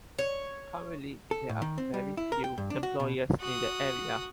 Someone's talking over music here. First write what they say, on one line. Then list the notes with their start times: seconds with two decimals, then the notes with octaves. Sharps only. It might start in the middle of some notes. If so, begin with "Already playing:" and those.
Currently there are very few employers in the area.
0.18 C#5
1.31 A4
1.49 A2
1.62 D#3
1.78 C4
1.94 G3
2.17 E4
2.32 A#4
2.44 G5
2.58 G2
2.70 D4
2.83 F#4
3.00 B2
3.40 F#4 D#6